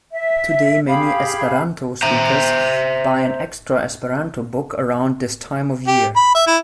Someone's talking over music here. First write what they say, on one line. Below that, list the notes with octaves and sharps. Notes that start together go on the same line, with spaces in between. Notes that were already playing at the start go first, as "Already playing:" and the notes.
Today, many Esperanto speakers buy an extra Esperanto book around this time of year.
E5
G4 G#4 F5 B5
C5 E5 A#5
G4
B5
E5
E4